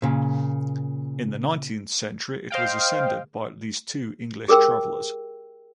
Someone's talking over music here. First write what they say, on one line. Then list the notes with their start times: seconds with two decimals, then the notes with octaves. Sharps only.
In the nineteenth century it was ascended by at least two English travelers.
0.02 A#2 C#3
2.50 C5 D#5 F5 G5
4.48 G4 G#4 A#4 G5 E6